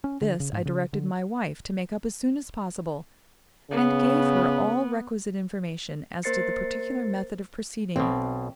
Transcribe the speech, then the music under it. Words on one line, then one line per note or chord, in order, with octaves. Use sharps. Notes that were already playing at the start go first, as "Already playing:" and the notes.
This I directed my wife to make up as soon as possible, and gave her all requisite information as to the particular method of proceeding.
C#4
D3
C#3
G#2
C#3
D3
C#3 B3
A#3 A#4 C5 A6 C7 C#7
B1 B2 C4